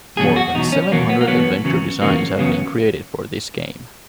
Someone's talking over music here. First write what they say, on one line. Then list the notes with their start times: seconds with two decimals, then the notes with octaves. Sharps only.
More than seven hundred adventure designs have been created for this game.
0.17 E2 B2 F#3 G#4
0.36 F#4
0.54 E2 B2 F#3 D#4
0.72 C#4
0.91 E2 B2 F#3 A#3
1.09 B3
1.21 A#3
1.28 E2 B2 F#3 B3
1.65 E2 C#3 F#3
2.02 E2 C#3 F#3 A#3
2.38 E2 C#3 F#3 B3